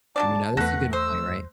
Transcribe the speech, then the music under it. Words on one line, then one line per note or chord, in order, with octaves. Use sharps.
um, you know, that's a good point, right?
F#3 D4 D5 A5
E2 A3 A4 B4 F#5 F#6 A#6
C5 E6